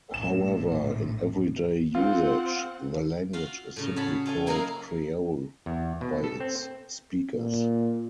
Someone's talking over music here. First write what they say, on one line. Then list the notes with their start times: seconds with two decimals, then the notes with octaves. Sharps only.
However, in everyday usage the language is simply called "Creole" by its speakers.
0.14 A#1 A2 E7
1.95 C4 F4 F#5
3.33 F4 F#4 F5
3.76 A2 C#3
3.96 C#4 F#4 G#4 C#5 A5 B5
4.26 F4 A4 G#5
4.46 F#3 A#3 D#4 E4 G#4 A#4
5.66 E2
6.01 B2
6.24 A4
6.40 C4
7.34 A#2